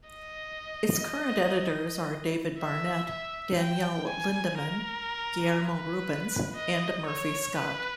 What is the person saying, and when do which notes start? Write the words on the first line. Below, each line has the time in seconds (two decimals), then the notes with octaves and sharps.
Its current editors are Dave Barnette, Danielle Lindemann, Guillermo Rubens, and Murphy Scott.
0.09 D#5
2.58 E5
3.09 E5
3.58 G5
4.08 G#5
4.58 A#4
5.57 B4
6.56 D#5
7.06 C#5
7.56 B4